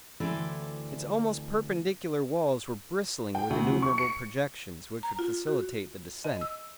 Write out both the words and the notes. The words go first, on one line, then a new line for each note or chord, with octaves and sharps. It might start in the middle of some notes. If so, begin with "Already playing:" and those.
Its almost perpendicular walls were bristling with innumerable projections which would facilitate the descent.
D2 E3 C4 A4 D5
G5
D2
F#3
C#6
C#7
A#5
F4
F#4
D#5
E6